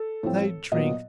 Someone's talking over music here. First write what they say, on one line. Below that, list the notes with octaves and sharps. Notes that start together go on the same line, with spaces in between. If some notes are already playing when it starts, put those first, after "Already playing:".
They drink!
Already playing: A4
A2 F3 A3 C4
A#2 F#3 B3 D#5